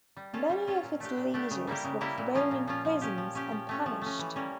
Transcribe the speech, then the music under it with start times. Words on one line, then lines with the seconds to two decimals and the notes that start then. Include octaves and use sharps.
Many of its leaders were thrown in prisons and punished.
0.17 G3
0.33 C#4 F4 A4
0.49 G3
0.67 C#4 F4 A4
0.83 A#2
1.00 A3 D4 G4
1.17 A#2
1.34 A3 D4 G4
1.51 C#3
1.67 G3 A#3 E4 G4
1.84 C#3
2.01 G3 A#3 E4 G4
2.18 A#2
2.35 F3 C#4 F4
2.51 A#2
2.68 F3 C#4 F4
2.85 F3
3.01 C#4 G4
3.18 F3
3.35 C#4 G4
3.52 F3
3.69 A3 C#4
3.86 F3
4.01 A3 C#4
4.19 E3
4.36 G3 A#3 C#4